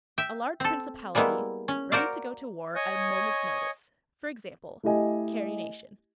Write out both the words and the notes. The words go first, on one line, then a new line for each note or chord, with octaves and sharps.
A large principality ready to go to war at a moment's notice. For example: Carrie Nation.
E5 G5
C4 A4
G3 G#3 A#3 B3 E4
C#4
F#4 A#4 C5 D5 F5
C#5 D#5 G#5 C#6 D#6
A3 E4 G4 D#5 G#5